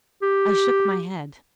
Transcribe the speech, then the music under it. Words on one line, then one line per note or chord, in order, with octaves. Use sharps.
I shook my head.
G4